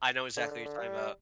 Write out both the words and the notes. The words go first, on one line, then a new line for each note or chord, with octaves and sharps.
I know exactly what you're talking 'bout.
D3
D3
D3
G3